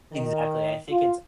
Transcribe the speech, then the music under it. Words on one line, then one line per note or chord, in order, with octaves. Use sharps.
Exactly, I think it's
D#3
F4